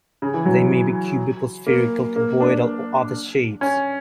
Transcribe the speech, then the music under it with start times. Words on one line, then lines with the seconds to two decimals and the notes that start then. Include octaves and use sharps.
They may be cubical, spherical, cuboidal, or other shapes.
0.22 C#3
0.34 E3
0.45 F#3
1.67 A#3
2.16 A#3
2.40 D4
3.61 C#4